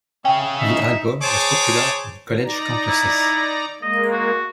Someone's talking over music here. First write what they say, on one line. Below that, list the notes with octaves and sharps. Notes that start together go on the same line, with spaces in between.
The album was popular on college campuses.
C#3 C#4 E5 G5
D#4 E5
G#4 C5 C#5 A5 D6
D#4 D5 A#5
E4
G#3 A#3 D#5
F#4